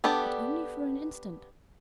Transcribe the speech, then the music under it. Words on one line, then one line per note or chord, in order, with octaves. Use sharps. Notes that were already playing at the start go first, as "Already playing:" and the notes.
But only for an instant.
B3 D4 G4 A4